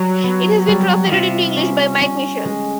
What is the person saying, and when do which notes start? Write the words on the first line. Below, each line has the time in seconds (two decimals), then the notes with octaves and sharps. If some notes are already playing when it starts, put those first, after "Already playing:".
It has been translated into English by Mike Mitchell.
Already playing: F#3 G3
0.23 B3
0.68 G3
1.12 C3 F4
1.56 C#4
2.01 C#4
2.45 G#3